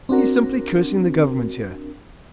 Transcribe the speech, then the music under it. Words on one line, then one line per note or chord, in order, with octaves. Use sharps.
'He's simply cursing the Government here.
C4 D4 F#4 A#4